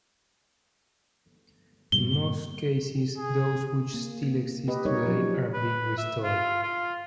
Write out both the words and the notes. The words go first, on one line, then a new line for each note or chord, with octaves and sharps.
In most cases those which still exist today are being restored.
G2 A#2 G3 G7
G#4
A#3
A#3 G4 B4 D#5
G3 D#4 A#4 C#5 D#5
F3 F#3 C#4
B4
E5
F4
F4